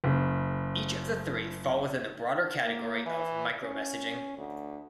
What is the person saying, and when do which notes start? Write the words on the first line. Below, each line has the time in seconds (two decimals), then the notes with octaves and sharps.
Each of the three fall within the broader category of micro-messaging.
0.04 F#1 C#3
2.62 A#3
3.05 E3
3.62 C#4
4.37 D2